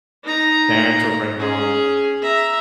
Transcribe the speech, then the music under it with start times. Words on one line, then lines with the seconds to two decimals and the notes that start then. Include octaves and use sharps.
parents will bring home."
0.24 D#4 A#5
1.37 C#4 G#4
2.22 E5 A#5